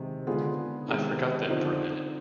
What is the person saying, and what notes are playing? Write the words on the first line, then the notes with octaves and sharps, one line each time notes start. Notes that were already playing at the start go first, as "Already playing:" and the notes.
I forgot them for a minute.
Already playing: C3 D#3 G#3
D3 G#3 B3 F4 G#4
C3 D#3 G#3 B3
D3 F3 C4 D#4